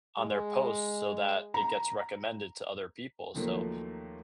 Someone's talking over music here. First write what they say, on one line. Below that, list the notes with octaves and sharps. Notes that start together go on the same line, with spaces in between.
on their posts so that it gets recommended to other people. So,
G#3
A#5
D#2 D#3 F3 F#3 A3 A#3